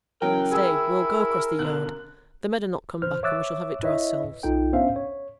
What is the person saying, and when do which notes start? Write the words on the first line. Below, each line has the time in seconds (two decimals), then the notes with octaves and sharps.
Stay, we'll go across the yard; the men are not come back, and we shall have it to ourselves.
0.22 C#3 E3 F#3 A#4 G5
0.52 E4 G#4 G#5 E6
1.59 B2 D3 F#6
3.02 E3 B4 C5 F6
3.23 C#5 E5 D6 E6 F#6 A6
3.83 E4 B4 C#5 D#5 E5
4.43 B1 D#4 F4 A4 G5
4.73 B3 C#4 D4 C5 E5 F5
4.96 C#5